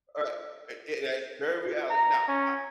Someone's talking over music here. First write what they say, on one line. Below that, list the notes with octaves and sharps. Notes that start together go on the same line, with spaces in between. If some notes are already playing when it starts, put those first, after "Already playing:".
Right, and and that's very reality now, I
A#5
C#4